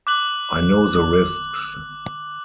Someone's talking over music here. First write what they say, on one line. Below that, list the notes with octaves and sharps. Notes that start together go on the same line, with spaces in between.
I know the risks.
D6 F#6 F#7